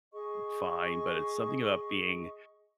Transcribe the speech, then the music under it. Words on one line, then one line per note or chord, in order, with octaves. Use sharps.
fine, but it's something about being
G#4 D#5 C#6